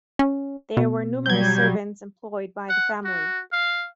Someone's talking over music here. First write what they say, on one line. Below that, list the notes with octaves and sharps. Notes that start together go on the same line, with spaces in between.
There were numerous servants employed by the family.
C#4
B2
F#3 G3 G6 G#6
F#5
F#4
F5